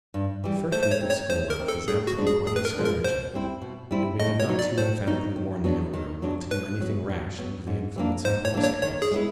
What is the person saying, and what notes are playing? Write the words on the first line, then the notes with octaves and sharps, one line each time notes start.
The first week of school life is apt to be quite discouraging, and we can not too emphatically warn the young girl not to do anything rash under the influence of homesickness.
G2
E3 G3
A3 C5
C5
C#5
C4 D#4
C#5
A3 C5
A#4
C4 D#4
A4
A2 G#4
F#4
F3 G#3 B3 D4
G#4
A2 G#4
B4
A#4
F3 G#3 B3 D4
A#4
B2 C5
G3 C4 E4
B2
G3 C4 E4
A2 D#5
C#5
F#3 B3 D#4
D5
A2 C5
F#3 B3 D#4
D#3
F#3 B3 D4
D#3
F#3 B3 D4
B2 B4
F#3 B3
B2
F#3 B3
G#2
E3 G3 A#3 D4
G#2 C5
C#5
E3 G3 A#3 D4
C#5
D#3 C#5
G#4
G#3 B3 E4